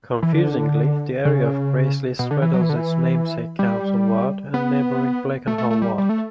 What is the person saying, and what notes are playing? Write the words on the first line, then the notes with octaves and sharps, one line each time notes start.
Confusingly, the area of Graiseley straddles its namesake council ward and neighbouring Blakenhall ward.
E3
D3
C#3
B2
D3
E3
F#3
E3
D3
E3
G3
B3
A3
A3
A3
G3
G3
A3